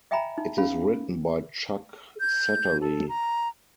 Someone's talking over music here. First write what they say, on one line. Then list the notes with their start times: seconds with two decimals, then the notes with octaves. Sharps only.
It is written by Chuck Satterlee.
0.11 D#5 E5 G5 G#5 A#5 B5
0.38 D#4
0.58 C#4 F5 B5
2.20 G6
2.81 A4
3.09 A#5